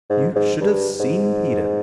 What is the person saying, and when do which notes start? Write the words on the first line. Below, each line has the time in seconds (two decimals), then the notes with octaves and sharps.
You should have seen Peter.
0.10 G#2
0.35 G#2
0.61 G2
1.00 G#2